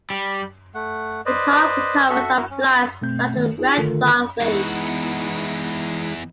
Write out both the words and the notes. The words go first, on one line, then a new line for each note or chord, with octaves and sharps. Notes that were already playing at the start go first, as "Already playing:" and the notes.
The cob recovers and flies back to the Red Rock Lakes.
G3
A3 F#5
B4 C5 D5 D#5
F#4 A4 E5 C#6
E4 F#4 A#4
C#4
B2 A3 C4 G6
D#3 A3
D#4 F4 G#4
D3 D#3 A3 F4 A4 A#4
E2 E3 G#3 B3 D#4 E4 F#4